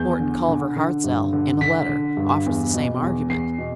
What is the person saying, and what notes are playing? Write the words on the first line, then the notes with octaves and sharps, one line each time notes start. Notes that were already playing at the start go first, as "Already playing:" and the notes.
Morton Culver Hartzell, in a letter, offers the same argument.
Already playing: E2 G6
D3
D3
D3
G2
D3
D3 B6
D3
G2
E2
B2
E2
E2 C7
B2